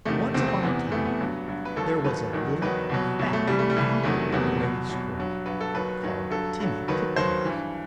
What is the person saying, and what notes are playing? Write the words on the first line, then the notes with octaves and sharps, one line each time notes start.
Once upon a time there was a little fat comfortable grey squirrel, called Timmy Tiptoes.
E2 C3 D#3 A3
E2 C3 D#3 C4
C4
E2 C3 E3 B3
E2 C3 E3 A3
B3
G2 F#3
G2 F#3
B4
D#2 D#3 F#3 A4
D#2 D#3 F#3 B4
E2 D#3 F#3
E2 D#3 F#3 B4
C2 B2 F#3
C2 B2 F#3
A3
C2 C3 E3 G3
A3
G3
C2 C3 E3
E2 C3 D#3 F#3 A3
E2 C3 D#3 F#3 B3
C2 B2 F#3
C2 B2 F#3
G2 F#3
G2 F#3 B4
A4
D#2 D#3 F#3 B4
D#2 D#3 F#3
G2 F#3 A4
G2 F#3
D#2 D#3 F#3 B4
D#2 D#3 F#3 C5
G2 E3